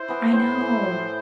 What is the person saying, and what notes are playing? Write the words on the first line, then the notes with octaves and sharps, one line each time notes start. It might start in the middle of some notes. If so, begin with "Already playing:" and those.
I know.
Already playing: E4 C5
E3 B3
A2 C5
E3 B3
A2